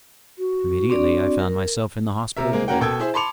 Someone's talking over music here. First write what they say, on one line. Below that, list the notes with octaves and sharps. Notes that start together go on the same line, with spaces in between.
Immediately I found myself in the hospital ward.
F#4
C4 D4 D5
A#4
C3 A#4 E5
G#3 A#3 C4
A#3 C#4 F#4 A#4 F#5 G5
B2 A4 G5 E6 G#6
E4 G#4 C5 E5
A5 B5 C6 D6 C#7 F7